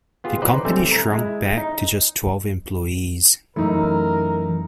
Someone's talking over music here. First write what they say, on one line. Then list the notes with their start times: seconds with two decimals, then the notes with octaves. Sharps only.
The company shrunk back to just twelve employees.
0.24 B3 F4 G4 G#4
0.42 D#4 B4 C5 D5
0.65 D3 G3 A3 C4 A4 G#5
0.92 A#5
1.12 G#3 E4
1.57 D#4
3.56 F#2 E3 A3 D#4 E4 A#4